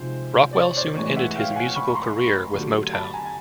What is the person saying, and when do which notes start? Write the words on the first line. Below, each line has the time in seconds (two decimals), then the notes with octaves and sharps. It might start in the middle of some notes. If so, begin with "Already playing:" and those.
Rockwell soon ended his musical career with Motown.
Already playing: C3 F3 G#3 D#4 C5
0.53 D5
0.58 C#5
0.77 C5 D5
0.96 A2 E3 G#3 C#5
1.16 E5 F#5
1.36 F5 G5
1.56 F#5 G#5
1.75 B5 C#6
1.88 C#6
1.95 A#5 C6
2.54 D3 F#3 A3 D4 G4
2.93 A5 B5
3.14 G#5 A#5
3.25 G#5